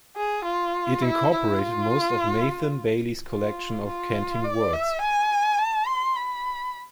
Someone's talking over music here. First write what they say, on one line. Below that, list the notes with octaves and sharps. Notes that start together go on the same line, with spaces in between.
It incorporated most of Nathan Bailey's collection of canting words.
G#4
F4
E4
E4
F4
F4
F4
D5
E5
G#5
A5
C6
B5